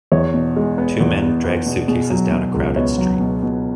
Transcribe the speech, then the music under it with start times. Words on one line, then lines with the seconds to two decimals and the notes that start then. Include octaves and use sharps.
Two men drag suitcases down a crowded street.
0.12 E2 C#5
0.34 B2
0.56 G#3
0.78 B3
1.00 E2
1.22 B3
1.44 B3
1.66 B2
1.88 B2 G#4
2.10 F#3
2.32 B2
2.54 C#2
2.76 B3 C#5
2.98 F#3
3.20 B2
3.43 B2